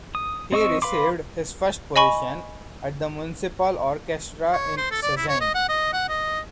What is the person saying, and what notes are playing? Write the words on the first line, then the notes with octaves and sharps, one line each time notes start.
He received his first position at the municipal orchestra in Szczecin.
D#6
C4 D#5 C#6 E6
B4 F5 B5 C6 D6
D#5 G#5 B5 C#6
C#5
C5
A4
D5
E4
C#5
D#5
F#5
D#5
F#5
D#5